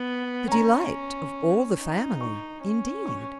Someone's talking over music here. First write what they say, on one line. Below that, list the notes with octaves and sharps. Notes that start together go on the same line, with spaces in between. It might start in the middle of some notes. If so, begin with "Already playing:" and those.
The delight of all the family, indeed!
Already playing: B3
C#4 A#5
D#4
C#6
C#4
C#6